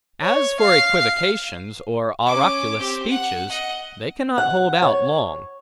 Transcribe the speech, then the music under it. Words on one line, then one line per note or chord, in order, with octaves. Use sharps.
As for equivocations, or oraculous speeches, they cannot hold out long.
C#5
F5
F5
C#4 D6
C4 G4
F#5
D#5 F#5
F#5
C#5